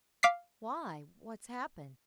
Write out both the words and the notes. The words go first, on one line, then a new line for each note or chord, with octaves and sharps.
'Why, what's happened?
F5 D6 B6 C7